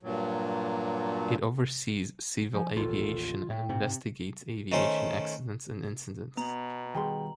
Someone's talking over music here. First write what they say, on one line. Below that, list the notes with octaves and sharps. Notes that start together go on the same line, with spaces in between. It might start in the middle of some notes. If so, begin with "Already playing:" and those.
It oversees civil aviation and investigates aviation accidents and incidents.
G2 A#2 F#3
F3 G#5
A1 D#2 F4 A4
A2 G5
G#2 C3
D#3 A3 C#4 C5
B2 B3 A#5 F#7
D#3 G3 G#4 G5 C6